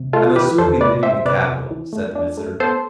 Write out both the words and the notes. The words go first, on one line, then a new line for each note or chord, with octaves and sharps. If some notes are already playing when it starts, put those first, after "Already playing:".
"I must soon be leaving the capital," said the visitor.
Already playing: C3
A3 F4 A4
E3 G4 B4
E2 A4 C5
C3 B4 D5
C4 C5 E5
C3 B4 D5
C3
E3
A3
D4
A3
B3 A4 C5